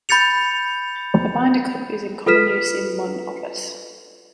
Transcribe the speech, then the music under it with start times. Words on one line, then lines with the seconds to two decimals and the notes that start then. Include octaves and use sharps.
The binder clip is in common use in the modern office.
0.09 B5 G6 A6 C#7 F7
2.26 F4 A4 B4 F6 B6 E7